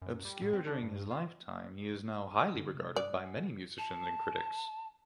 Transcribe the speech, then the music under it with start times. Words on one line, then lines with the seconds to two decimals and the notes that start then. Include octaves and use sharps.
Obscure during his lifetime, he is now highly regarded by many musicians and critics.
0.02 F#2
0.25 G3
0.42 A2
0.53 C4
0.67 D4
0.82 G2
1.11 F4
2.55 F#2 D3 B3
2.74 C3 G#3
2.96 G3 D5 D#6 F#6
3.20 F#5 G#5
3.78 A5